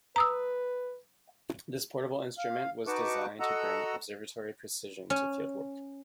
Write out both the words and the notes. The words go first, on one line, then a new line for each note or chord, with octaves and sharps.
This portable instrument was designed to bring observatory precision to fieldwork.
B4 A#5 D#6 E6
F5
D#4 F#4 B4 A5 C#6 D6
F#4 A4 D#5 F#5 A#5 E6
C#4